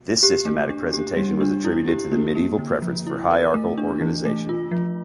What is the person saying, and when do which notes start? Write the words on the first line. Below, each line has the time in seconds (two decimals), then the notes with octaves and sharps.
This systematic presentation was attributed to the Medieval preference for hierarchal organization.
0.23 G4
0.45 A3
0.70 D4
0.94 G4
1.17 G3
1.41 D4
1.64 E4
1.88 G4
2.12 A#3
2.35 A#3
2.59 D3
2.82 F3
3.07 E4
3.31 A#4
3.54 A3
3.78 D4
4.01 E3
4.25 A3
4.49 F4
4.71 F3